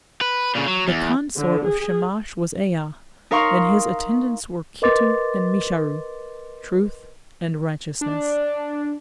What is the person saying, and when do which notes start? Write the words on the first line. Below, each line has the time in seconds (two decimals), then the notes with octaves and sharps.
The consort of Shamash was Aa, and his attendants were Kittu and Mesharu, "Truth" and "Righteousness".
0.21 B4
0.55 A#2 C#3
0.68 F#3
0.88 E2
1.38 D3
1.67 G#4
3.31 D#4 A#4 F5 C6 C#6
4.82 A#4 B4 D#5 C6 D6 A6
8.01 D4